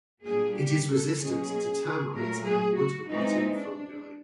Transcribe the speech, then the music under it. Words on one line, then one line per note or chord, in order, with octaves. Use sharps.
It is resistant to termites and wood-rotting fungi.
A#2 G3 A#3 D4 G#4
G4
A4
B2 F#3 A#3 C#4 G#4
A#2 F#3 A3 A#4
G#4
F#4
E3 G#3 C4 D#4
D4